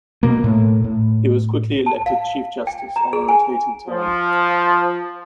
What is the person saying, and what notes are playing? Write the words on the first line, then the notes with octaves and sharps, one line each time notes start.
He was quickly elected chief justice, on a rotating term.
B2 A#3
A2
A2
A5
F5
G5
A#5
G#4
G#5
F3